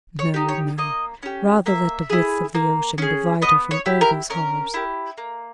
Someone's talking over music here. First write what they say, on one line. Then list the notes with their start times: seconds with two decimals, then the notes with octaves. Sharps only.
No, no! rather let the width of the ocean divide her from all those horrors.
0.19 C#5
0.34 D#4 G4
0.48 C#5
0.78 A#3 D#5
1.23 C#4 G4
1.66 A#3 E5
2.10 E4 G#4
2.55 A#3
2.98 C#4 G#4
3.42 B3 D#5
3.71 C#5
3.86 E4 G4
4.01 A#4
4.30 C#4 A#4
4.74 E4 G4
5.18 A#3